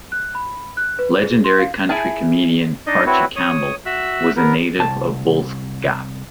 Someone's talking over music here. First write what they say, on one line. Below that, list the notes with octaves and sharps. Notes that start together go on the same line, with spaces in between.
Legendary country comedian Archie Campbell was a native of Bulls Gap.
F#6
B5
F#6
B4
G#4
C6
F5
E4 G#4 G#5 A5
D4 D#4 D#5
C4 E4 F#4 B4 C#5
C#5 D#6
F#4 E5 E6 F#6
B3 A#4
C2 A5